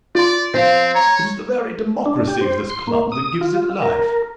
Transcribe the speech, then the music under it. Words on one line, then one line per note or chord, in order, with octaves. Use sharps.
It is the very democracy of this club that gives it life.
F4 D5 C6
F3 C4 F5
C#5 A#5
D4
G4
C5
C6
A#3
D#6
F4
A#4